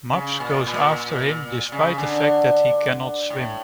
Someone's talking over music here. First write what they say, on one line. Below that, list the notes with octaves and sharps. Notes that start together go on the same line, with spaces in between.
Maps goes after him despite the fact that he cannot swim.
C#3
A#2
A#2
C#3
D3
A2